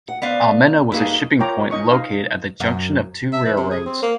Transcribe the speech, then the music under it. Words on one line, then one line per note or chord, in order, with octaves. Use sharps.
Almena was a shipping point located at the junction of two railroads.
F#5
B3 C4 D5 F5
G2 A#3 D#4 E4 F#4 G#4
F4 A#4 C#5 G5 A#5 D6
D#4 D#5 C#6
D#4 D#5 F5
F#2
E5
E3
C3
G#4
C4
A#3